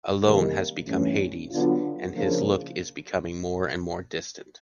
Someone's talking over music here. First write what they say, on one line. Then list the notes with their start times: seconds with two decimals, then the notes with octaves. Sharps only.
Alone has become Hades, and his look is becoming more and more distant.
0.22 C3 D#3 G3 A#3
0.86 G2 E3 A3 C#4
1.50 D3 F#3 B3 D4 F4
2.15 C#3 F3 A#3 D4 F4